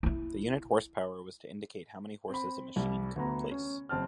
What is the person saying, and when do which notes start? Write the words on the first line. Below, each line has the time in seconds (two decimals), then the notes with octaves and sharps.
The unit horsepower was to indicate how many horses a machine could replace.
0.03 D#4 E4
2.29 C4 B5
2.76 C2 G3
3.16 D2 B3 A#5
3.51 C#4
3.89 F#1 C4 A5 F6